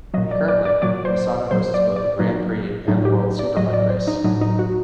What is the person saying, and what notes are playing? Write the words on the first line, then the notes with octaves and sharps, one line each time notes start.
Currently, Misano hosts both the Grand Prix and the World Superbike Race.
A#2 F#3 D#5
D5
D5
D5
A#2 F#3 D5
C5
A#2 F#3 C5
D5
D5
A#2 F#3 D#4
A2 F#3 D#4
G4
D5
A2 F#3 D#5
D5
C5
D#4
A2 F#3 D#4
D#4
F#4